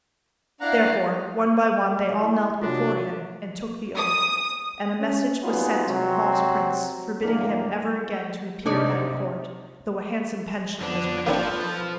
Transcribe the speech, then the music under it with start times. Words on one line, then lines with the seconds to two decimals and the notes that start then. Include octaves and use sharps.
Therefore one by one they all knelt before him and took the oath, and a message was sent to the false prince, forbidding him ever again to appear at court, though a handsome pension was granted him.
0.60 D4 E4 F5 F#5 A#5
2.21 E4
2.62 C3 F#3 D4 F4
3.96 D#6
5.01 C#4
5.42 G3 B3 D#4 F4 F#4 G#4
5.86 C3 F#3 C4
7.21 E2 A2 D3 A#3
8.66 C3 D4 D#4 C#5 D5
10.81 F2 D3 F3 B3 D4
11.26 F3 A#3 C4 D4 F4 A4 B4